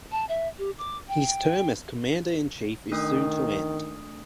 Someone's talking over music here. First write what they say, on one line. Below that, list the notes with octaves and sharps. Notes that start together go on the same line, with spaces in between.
His term as Commander In Chief is soon to end.
A5
E5
G4
D6
G5
D#3 A3 D4 D#6